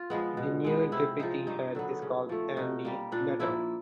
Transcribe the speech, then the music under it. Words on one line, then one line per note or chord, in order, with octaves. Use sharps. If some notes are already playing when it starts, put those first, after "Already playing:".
The new Deputy Head is called Andy Nuttal.
Already playing: F4
F3 G#3 B3
B2
G#3 B3
C3 E4
F3 G#3 D#4
G2 D#4
D3 F#3 B3
C#3
F3 A3
B2 D#4
G3 A#3
A#2 D4
F3 A#3 E4